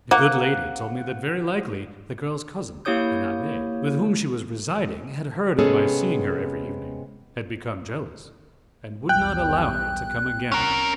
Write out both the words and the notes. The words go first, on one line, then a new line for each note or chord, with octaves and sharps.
The good lady told me that very likely the girl's cousin, an abbe, with whom she was residing, had heard of my seeing her every evening, had become jealous, and would not allow her to come again.
A#3 F#5
A#3 E4 G4 C#5 D#6 G6
C3 G#3 B3 C#4 G#4 A4
B1 E2 G3 G5 F#6
C2 C#4 A#4